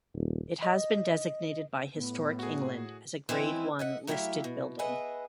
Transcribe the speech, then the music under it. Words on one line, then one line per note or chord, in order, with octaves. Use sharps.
It has been designated by Historic England as a grade one listed building.
D#1
D#5
A2 B3
F#4 G#4
E3 G#3 C4 C#4 E4
D#5 E5 F#5
F#3 A3 E4 G4 E5 F5
B2
G#4 B4 D#5 E5 F#5